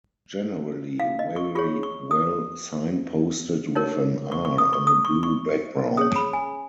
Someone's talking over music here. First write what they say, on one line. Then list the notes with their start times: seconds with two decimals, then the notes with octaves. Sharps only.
Generally very well signposted with an 'R' on a blue background.
1.00 F5
1.19 D#5
1.36 C#6
1.55 F4 G#4 C#5 C#6
1.83 C#6
2.11 D#6
3.75 D#4 A#4 C#5
4.32 C#6
4.45 C#6
4.58 D#6
4.73 C#6
4.87 D#6
5.05 C#6
5.23 C#6
5.97 C#4 G#4 C#5 D#6
6.16 B5
6.33 G#5